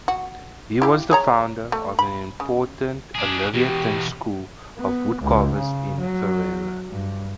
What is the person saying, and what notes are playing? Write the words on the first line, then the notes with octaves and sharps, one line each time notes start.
He was the founder of an important Olivetan school of woodcarvers in Ferrara.
F#4
E4 G4 F5
G#4 C#5 A#5
A3
B5
C#3
D4 G#4
E2 B2 G4
B3
C#2
C#3
F#3
G2